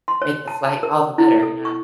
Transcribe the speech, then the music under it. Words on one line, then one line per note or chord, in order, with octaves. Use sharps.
make the flight all the better, you know?
C6
C#5
A5
A5
A#4
E4
A4
C#6